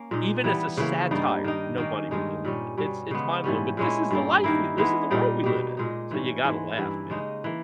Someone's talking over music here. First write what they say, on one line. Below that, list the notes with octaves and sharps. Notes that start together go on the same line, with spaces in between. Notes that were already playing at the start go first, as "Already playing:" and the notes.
E even as a satire, nobody would believe it. It's it's mind-blowing, but, this is the life we li this is the world we live in, so you gotta laugh, man.
Already playing: A#3 C#4
A#2 G#3 D#4
E3 G3 B3
C#3 E3 A#3
G2 G3 A#3 D#4
D#3 A#3 D#4
D#3 A#3 C#4
G2 D#3 G#3 D#4
A#2 G3 C#4
B2 G3 C#4
C#3 G#3 B3
G#2 E3 G3 C#4
A#2 G#3 C#4 E4
G2 G3 A#3
D#3 A#3 E4
E3 G#3 B3 E4
A#2 G3 A#3 D#4
B2 A#3 D#4 G4
A#2 G#3 D#4
G#2 E3 G3 C#4
G#2 E3 G#3
G2 E3 A#3 E4
C#3 G#3 D#4
E3 A#3